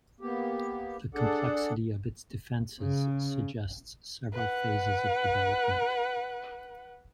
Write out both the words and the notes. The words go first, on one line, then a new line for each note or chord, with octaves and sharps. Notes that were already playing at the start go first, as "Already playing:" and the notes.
The complexity of its defences suggests several phases of development.
A#3 B3 G4
D4 G#4 A4 D5 F#5
C#3
B4 F#5